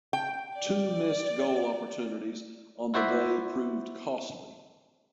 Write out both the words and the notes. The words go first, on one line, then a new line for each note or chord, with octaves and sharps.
Two missed goal opportunities on the day proved costly.
G5
D5
E4 F#4 C5 D5 E5